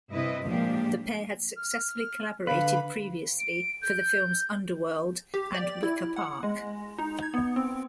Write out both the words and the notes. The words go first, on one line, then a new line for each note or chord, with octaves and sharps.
The pair had successfully collaborated previously for the films "Underworld" and "Wicker Park".
G2 C3 E4 B4 D#5
A#2 F3 G#3 A#3 D4 G4
F6
D3 B4 F5 B5
D7
G6
G4
D5
E4
F#5
G#3
D#4
G#6
B3
C4